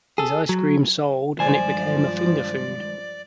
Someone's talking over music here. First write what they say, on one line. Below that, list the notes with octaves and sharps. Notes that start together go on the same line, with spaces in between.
His ice cream sold and it became a finger food.
G#4 A4
F#3
G2 D#3 F3 F#3 G#3 C5 D5 G#5